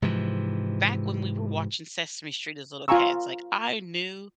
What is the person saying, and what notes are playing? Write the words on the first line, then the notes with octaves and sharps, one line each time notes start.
M Back when we were watching Sesame Street as little kids, like I knew,
G#2 C3 E3 F3
F4 F5 G#5 A#5 C#6 E6